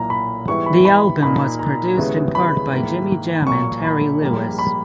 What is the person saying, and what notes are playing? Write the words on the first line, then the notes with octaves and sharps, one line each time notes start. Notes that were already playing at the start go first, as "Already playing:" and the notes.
The album was produced in part by Jimmy Jam and Terry Lewis.
Already playing: B1 A#2 A#3 E4 A#5
B5
G#2 E3 G3 B3 E4 C#6
B5
B5
A#2 A#3 D#4 B5
A#5
D#2 C#3 G#3 B3 E4
B5
G#2 D#3 A#3 E4
B1 A#2 A#3 C#6
B5
A#1 G#2 G3 A#3
B5